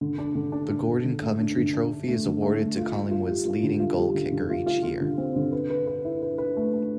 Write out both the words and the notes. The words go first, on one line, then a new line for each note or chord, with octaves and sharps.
The Gordon Coventry Trophy is awarded to Collingwood's leading goal kicker each year.
D3
D4
D3
D4
D4
D3
D3
A3
D4
D3
D4
D4
A3
D3
A3
A3
F4
F4
F4
G3
F4
D3
F4
G3
D3
D3
F4
F4
F4
D3
C4
D3
B4
B4
B4
E4
B4
B4
A3
A3